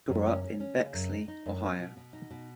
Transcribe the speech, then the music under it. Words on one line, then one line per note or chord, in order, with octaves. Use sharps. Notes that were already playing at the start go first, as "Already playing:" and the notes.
He grew up in Bexley, Ohio.
F#2
C#4
C#4
C#4
C#3
F#2
D#4
D#4
F#2
B3
B2
B2
D#4
B2